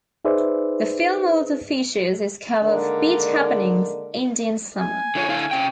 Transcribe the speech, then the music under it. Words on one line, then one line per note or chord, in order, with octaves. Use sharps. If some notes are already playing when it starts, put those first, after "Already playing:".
The film also features his cover of Beat Happening's "Indian Summer".
D#4 G#4 B4 C5 D5 E5
D3 D#3 G#3 A#3 A#4 D5
G#5
D3 F4 C#5
D3 E4 F5
C3 C#4 G5